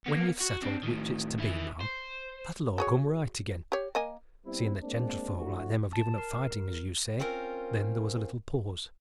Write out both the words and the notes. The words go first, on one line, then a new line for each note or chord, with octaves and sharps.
"When you've settled which it's to be, ma'am, that'll all come right again,--seeing that gentlefolks like them have given up fighting, as you say." Then there was a little pause.
A#3 B3
F#4
C4 D4
A2 D#3
D#3 E4
C5
F#4 G#4 C#5
G4 C#5
A#3 D#5 G#5
G3 B3 C4 E4
G#3 A#3 C4 D4
F3 A3 D4 E4 F#4
A5
A#4
C4 C#4 F4 A#4 C5